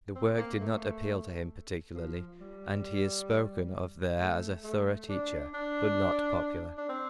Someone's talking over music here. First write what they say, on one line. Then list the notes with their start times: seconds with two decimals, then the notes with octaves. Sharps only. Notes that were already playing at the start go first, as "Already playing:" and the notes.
The work did not appeal to him particularly and he is spoken of there as a thorough teacher, but not popular.
0.15 C4
0.38 A#3
0.60 A3
1.95 F3
2.41 G3
4.19 A3
4.64 A3
5.10 D4
5.54 D4
6.78 D4
6.89 C4